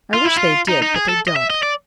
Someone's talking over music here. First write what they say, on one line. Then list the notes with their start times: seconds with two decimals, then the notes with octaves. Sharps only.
I wish they did, but they don't.
0.14 F4
0.25 E4
0.37 F4
0.68 D#4
0.82 D#4
0.96 G#4
1.09 A4
1.28 D#5
1.36 E5
1.50 D#5
1.63 D5